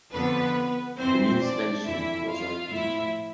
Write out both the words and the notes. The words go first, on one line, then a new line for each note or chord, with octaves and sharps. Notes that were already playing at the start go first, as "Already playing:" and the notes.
The new station was opened.
F2 D3 F3 B3 B4
F2 E3 C4 C5
D4 D5
F2 E3 E4 E5
F4 F5
A2 F3 E4 E5